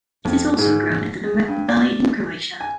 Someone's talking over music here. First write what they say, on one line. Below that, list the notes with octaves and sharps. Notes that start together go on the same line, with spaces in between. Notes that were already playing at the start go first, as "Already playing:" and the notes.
It is also grown in the Neretva valley in Croatia.
F2
G#2
G#3
G2
D5
G#5